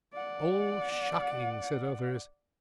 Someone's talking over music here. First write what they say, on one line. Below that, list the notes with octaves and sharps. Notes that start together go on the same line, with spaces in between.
"Oh, shocking!" said others.
D5 F#5